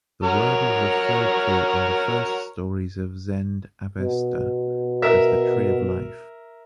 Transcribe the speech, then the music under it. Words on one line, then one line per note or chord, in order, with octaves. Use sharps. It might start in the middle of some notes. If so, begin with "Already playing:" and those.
The word is referred to in the first stories of Zend-Avesta as the tree of life.
F#4 A#4 C#5
B2
A#4 E5